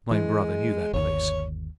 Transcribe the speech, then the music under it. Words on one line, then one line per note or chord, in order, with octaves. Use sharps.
My brother knew that place.
E3 G#3
G1 D#2 C#5